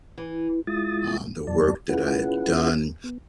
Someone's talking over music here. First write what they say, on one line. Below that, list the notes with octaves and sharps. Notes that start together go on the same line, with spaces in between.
uh, the work that I had done.
E3
G#3 E4 F4 D#6 A6
F2 F#3 D5 A5
C#4 E4 F4 G#4 B4 F#5
B3